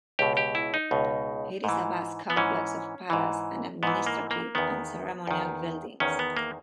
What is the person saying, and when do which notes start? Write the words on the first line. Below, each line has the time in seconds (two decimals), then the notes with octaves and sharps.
It is a vast complex of palaces and administrative and ceremonial buildings.
0.19 C#2 B2 G4
0.37 G4
0.55 E4
0.74 D#4
0.91 C#2 B2
1.64 G#2 E3
2.30 B3
2.37 G#2 E3 C#4
3.10 G#2 E3
3.83 G#2 E3 B3
4.07 A#3
4.31 A#3
4.55 E2 D#3 B3
5.27 E2 D#3
6.00 E2 D#3 C#4
6.19 B3
6.37 A#3